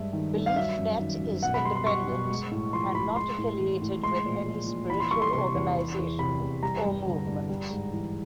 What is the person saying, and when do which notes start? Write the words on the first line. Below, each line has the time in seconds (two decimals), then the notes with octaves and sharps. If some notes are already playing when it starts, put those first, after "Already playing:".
Beliefnet is independent and not affiliated with any spiritual organization or movement.
Already playing: G2 G#3 E5
0.13 D#3
0.35 G2
0.46 F5
0.56 F#3 E5
0.79 F#2
0.99 D#3
1.21 F#2
1.43 B2 F#5
1.54 B5
1.65 G3 C6
1.75 C6
1.86 G3 C#6
2.08 B2
2.30 G#3
2.51 A2
2.72 F3 C6
2.95 A2 B5
3.16 G#3 C6
3.38 A2
3.59 E3
3.82 A2
4.02 G#3 C6
4.25 A#2
4.46 F3
4.68 A#2
4.90 E3 B5
5.00 C6
5.11 G3 C#6
5.22 C6
5.33 C3 C6
5.54 E2
5.76 E3
5.98 E2
6.19 C3 B5
6.40 E2
6.63 G3 A#5
6.85 G2
7.06 D3
7.27 G2
7.49 G3
7.70 G#2
7.92 E3